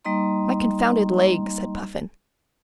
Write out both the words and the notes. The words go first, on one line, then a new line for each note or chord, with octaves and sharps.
"My confounded leg!" said Puffin.
G3 A#3 D#4 D#5 A#5 C6